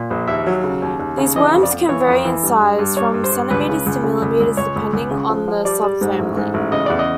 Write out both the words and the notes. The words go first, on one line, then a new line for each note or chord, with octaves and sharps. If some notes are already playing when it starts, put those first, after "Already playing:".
These worms can vary in size, from centimeters to millimeters, depending on the subfamily.
Already playing: A#2
A#1
D#2 E5
F#3
C#3
D#2
D#2
C#3
E3 D#5
F2
D5
F2
E3 C#5
F2
E3
G2
G2
G2
G2 C#5
G2
C5
G2
C#2 B4
C#3
C#2
C#3
C#2
C#2
C#2 C#5
C#2
C#2
C#3
F3
F3
G3 D5
G3
G#2
A1
G#2
A1
C#3 D#5
E2 D5
D#5